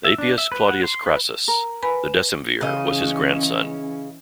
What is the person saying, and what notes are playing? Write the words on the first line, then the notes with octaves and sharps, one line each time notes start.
Appius Claudius Crassus, the decemvir, was his grandson.
E5
D4
E5
B4
F#5
C6
B4
A#4
B4 G#5 B5
C#3 E3 C#4 D#5